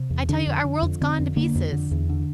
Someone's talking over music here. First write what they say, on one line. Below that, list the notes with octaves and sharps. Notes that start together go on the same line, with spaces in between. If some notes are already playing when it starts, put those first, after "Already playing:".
I tell you--our world's gone to pieces.
Already playing: C3
E2
D3 D4
F2
D3
F2
D3 C4
F2
D3 A#3
F2
D3
E2
D3